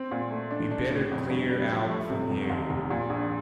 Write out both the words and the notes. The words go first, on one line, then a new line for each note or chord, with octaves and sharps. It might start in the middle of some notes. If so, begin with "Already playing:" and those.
We'd better clear out from here!
Already playing: C4
A#2
A3
D4
D4
A2
F2
G1
G3
F3
A3
C3
F1
D#2
F1
A#2
A#1